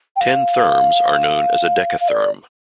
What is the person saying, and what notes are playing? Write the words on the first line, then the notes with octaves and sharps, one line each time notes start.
Ten therms are known as a decatherm.
G5
F5
F5
D5